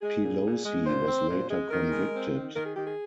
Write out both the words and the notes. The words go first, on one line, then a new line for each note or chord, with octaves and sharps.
Pelosi was later convicted.
G#3 G#4
A#2
A#2
G#3
A#2 C5
C4
A#2
G#3
D#3 A#4
G#3
C4
D#3
D#3 A#4
G#4
D#3 G4
G#4